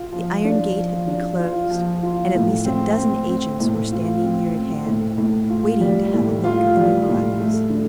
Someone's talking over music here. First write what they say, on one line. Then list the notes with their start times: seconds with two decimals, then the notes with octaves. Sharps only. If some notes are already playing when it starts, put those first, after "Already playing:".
The iron gate had been closed, and at least a dozen agents were standing near at hand, waiting to have a look at the new arrivals.
Already playing: F4
0.12 F3
0.45 D4
0.76 F3
1.07 D4
1.39 F4
1.71 F3
2.03 F4
2.35 A2
2.65 C4
2.97 C4
3.29 C4
3.60 A2
3.92 F4
4.23 C4
4.55 C4
4.86 A2
5.17 A2
5.50 F4
5.81 G3
6.13 A2
6.44 F4
6.76 G3
7.08 A2
7.40 A3
7.70 D3